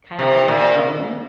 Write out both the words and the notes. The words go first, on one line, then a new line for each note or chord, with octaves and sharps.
kinda on my own,
C3
A#2